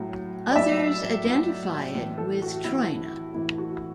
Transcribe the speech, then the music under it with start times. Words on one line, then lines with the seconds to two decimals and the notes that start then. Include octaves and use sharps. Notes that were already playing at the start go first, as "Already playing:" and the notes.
Others identify it with Troina.
Already playing: A2 F#3
0.52 D5
0.56 A2 F#3 E5
1.25 A2 F#3
1.95 A2 E3
2.18 A4
2.42 F#4
2.64 A2 E3 E4
3.34 A2 E3 E4
3.58 F#4